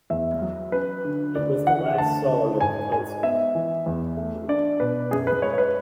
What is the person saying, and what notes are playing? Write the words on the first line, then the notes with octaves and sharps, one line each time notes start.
It was the last song of the concert.
E2 E5
F#3
C#4 B4
D3
D2 D5
E3 F#5
D2 A5
C#3
G#2 G#5
G#3 G#5
B3 E5
E3
E2
A3
D4 D5
B2 B4
F#2 G#4
B4
G#3 C#5
C#5
B4